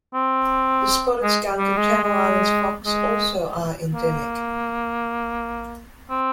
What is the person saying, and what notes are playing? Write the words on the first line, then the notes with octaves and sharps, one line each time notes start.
The spotted skunk and Channel Islands fox also are endemic.
C4
G#3
G3
G#3
G#3
G#3
A#3
C4